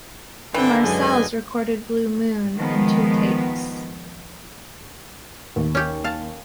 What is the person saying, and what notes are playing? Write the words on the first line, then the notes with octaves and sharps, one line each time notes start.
The Marcels recorded "Blue Moon" in two takes.
D#2 D3 E3 C4 G5
F#2 G#3 B4 D#5 G#5
D#3 F3 G#3 B3
D#2
C#4 G4
F5 A5